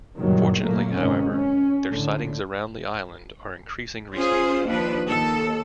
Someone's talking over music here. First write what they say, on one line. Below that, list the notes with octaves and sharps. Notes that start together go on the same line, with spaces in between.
Fortunately, however, their sightings around the island are increasing recently.
F#1 D2 G2 A#2 D#3 F#3
F#2 A#2 A3 A#3
G#1 G#2 C3 D#3 C#4
C#4
A2 D3
C#4 F4 G#4 C5
D#2 F3 D4 B4
D#2 A4